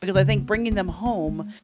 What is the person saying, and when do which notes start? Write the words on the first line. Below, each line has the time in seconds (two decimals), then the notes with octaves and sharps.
Because I think bringing them home
0.15 C#3
0.29 C#4
0.38 B3
0.54 C#4
0.72 B3
0.88 B3
1.05 B3
1.27 G#3